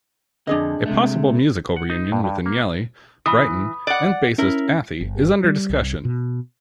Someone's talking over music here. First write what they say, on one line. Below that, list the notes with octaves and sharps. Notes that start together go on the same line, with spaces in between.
A possible musical reunion with Agnelli, Brighton, and bassist Athey is under discussion.
F2 D3 D4 G#4 D#5
C3 G#3 A3
F#5
D#4
G2
G2
A#3
E3 B5 D#6
D5 F#5
C#4 E4 A#4
G1
G3
C2
B2